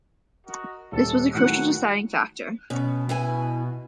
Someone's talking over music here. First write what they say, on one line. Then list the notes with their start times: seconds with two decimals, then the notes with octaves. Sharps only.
This was a crucial deciding factor.
0.47 F#4 A#4 D#5
0.92 D#1 A4
1.35 A2 D#3 F#3 F#5
2.70 B2 C#4
3.09 E4 B4 G#5